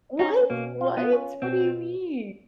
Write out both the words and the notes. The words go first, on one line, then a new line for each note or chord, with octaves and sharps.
What? What? What do you mean?
C#4 D#4
B2 A#3
F4
B3
C#4
B2 C4